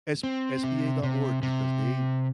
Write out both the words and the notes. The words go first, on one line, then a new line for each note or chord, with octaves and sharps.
s sba.org because they
C4
C3
C3
C3